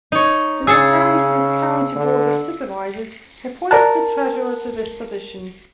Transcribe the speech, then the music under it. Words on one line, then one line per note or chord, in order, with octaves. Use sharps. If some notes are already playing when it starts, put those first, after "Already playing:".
The Los Angeles County Board of Supervisors appoints the treasurer to this position.
D#4 C#5
C#3 G#4 A5 E6 C7 C#7
D3
A#4 D5 A5 A#5 F#6